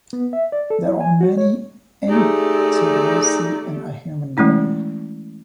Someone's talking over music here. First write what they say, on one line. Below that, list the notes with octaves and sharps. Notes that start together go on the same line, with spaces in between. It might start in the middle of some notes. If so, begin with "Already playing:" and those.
There are many interossei in a human body.
B3
E5
D5
A4
E4
G#5
F#4
C#5
A3 D#4 G4 G#4 D5
E3 G#3 A3 C#4 E4